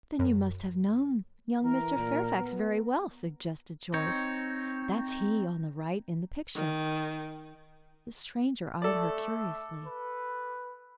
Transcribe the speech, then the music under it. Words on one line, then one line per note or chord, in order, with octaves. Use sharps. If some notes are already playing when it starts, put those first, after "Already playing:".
"Then you must have known young Mr. Fairfax very well," suggested Joyce. "That's he, on the right in the picture." The stranger eyed her curiously.
F#2
E3 A#4
A#2
B3
C4 D#4 C#5
D#3
A3 A4 D5
B4